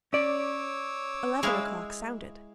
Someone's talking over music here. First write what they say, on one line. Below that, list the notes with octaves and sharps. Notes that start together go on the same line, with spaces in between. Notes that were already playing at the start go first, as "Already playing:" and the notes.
Eleven o'clock sounded.
C#4 C#5 D5 D6 E6
G#3 E4 F5